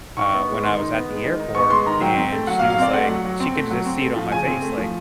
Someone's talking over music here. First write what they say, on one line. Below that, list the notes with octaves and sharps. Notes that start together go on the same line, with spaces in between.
uh, when I was at the airport, and she was, like She could just see it on my face, like,
D#4 C#6
B3
G#3
D#3 C6
D#4
B3
G#3
D#3
D#4
B3 C#6
G#3 C6
D#3 A#5
F#3 G5
C4
A3
F#3 F#5
F5
F#3
F5
C4 D5
A3 F#5
F#3
F#3
C4
A3
F#3
C4
A3
F3
C#3 G#5
C4
A3
F3